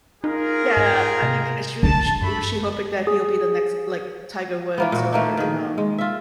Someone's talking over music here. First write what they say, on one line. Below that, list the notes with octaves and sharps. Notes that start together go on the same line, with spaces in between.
Yeah. I mean, uh, she she wa she hoping that he'll be the next, like, Tiger Woods or, you know,
D#4 F4 G#4 A#4
G#2
C3
D3 D4 A5
G2 A3 B5
G#4
E3 A#3 B3
A#2 F#4
A3 A#3 D#4
D#3 G#4
G#3
F4 E5